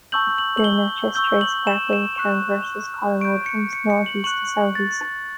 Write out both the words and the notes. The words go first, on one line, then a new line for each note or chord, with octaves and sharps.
The Natchez Trace Parkway traverses Collinwood from northeast to southwest.
A5 C#6 E6 G6 F#7
F#7
F#7
G7
C#6 E6 G6 G7
F#7
E7
E7
C#6 F#6
C#6 G6 D7
C#7
C#7
C#7
F#7
C#6 F#6 F#7
A6